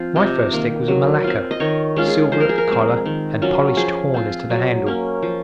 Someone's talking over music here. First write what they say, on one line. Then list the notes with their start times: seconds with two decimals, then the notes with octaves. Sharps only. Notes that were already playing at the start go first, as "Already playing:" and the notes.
My first stick was a malacca, silver at the collar and polished horn as to the handle.
Already playing: F3 C4 F4
0.16 C3 D#5
0.52 D#3 A#3
0.88 F#3
1.24 C4 F4
1.51 D#5
1.60 D#3 C#5
1.96 G#3 C#4 F4
2.08 G#4
2.32 F3 C5
2.40 A#4
2.49 G#4
2.58 A#4
2.68 G#3 C4
3.05 D#3
3.42 F#3 C#4 F4
3.77 F3 G#4
4.14 C4 F4
4.50 F#3
4.86 A#3 C#4
5.22 F3